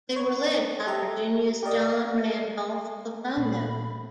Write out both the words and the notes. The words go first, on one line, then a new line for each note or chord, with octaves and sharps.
They were led by Virginia's John Randolph of Roanoke.
C#5
G4 A4 E5 A#5
G4 A#4 D5 D#5
A#2 A3 B5